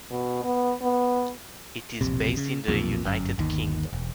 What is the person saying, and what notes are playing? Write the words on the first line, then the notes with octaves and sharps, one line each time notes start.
It is based in the United Kingdom.
B2
B3
B3
E1 A#1 C3
C#3
B1 F2 A#2
G1 F#2
G1 D#2 D#3
E1